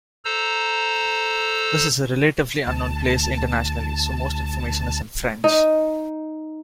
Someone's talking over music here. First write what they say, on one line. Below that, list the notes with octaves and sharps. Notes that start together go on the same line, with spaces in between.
This is a relatively unknown place internationally, so most information is in French.
A4 C5 A#5 E6
D2 A5
D#4